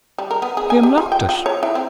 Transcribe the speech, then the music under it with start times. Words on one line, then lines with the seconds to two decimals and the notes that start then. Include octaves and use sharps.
He unlocked it.
0.18 G3
0.31 A#4
0.42 B3
0.57 G#4
0.70 G#5
0.83 G4
0.98 F4
1.12 G5
1.29 F4
1.46 C#5
1.63 E4
1.75 C4